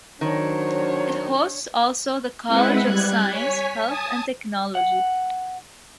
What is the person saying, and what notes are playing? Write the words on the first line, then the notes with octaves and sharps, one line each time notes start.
It hosts also the college of science, health and Technology.
D#3 F#3 D4 C5 C#5
G#3 C4 E4 B4 F#5
G3 F#6 G#6
C#5 G#5 B6
G#5 A5 D#6
F#5